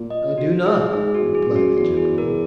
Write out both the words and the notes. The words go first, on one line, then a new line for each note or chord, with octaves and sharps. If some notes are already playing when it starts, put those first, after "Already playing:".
"I do not!" replied the gentleman.
Already playing: A#2
D#5
F#4
G#4
G#2 G#4
F#4
E2
G#4
F#2
F#4
E2 F#4
G#4
A#4